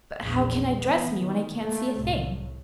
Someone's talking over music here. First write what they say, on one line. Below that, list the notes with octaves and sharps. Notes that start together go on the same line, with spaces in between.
"But how can I dress me when I can't see a thing?"
A#1 E2
E3 B3
D#3
A3 A#3
C2 A2